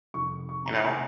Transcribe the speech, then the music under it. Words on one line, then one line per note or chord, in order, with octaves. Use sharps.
You know?
F2 C3 D#3 C#6
C#6
A#5
C3 D#3 G#5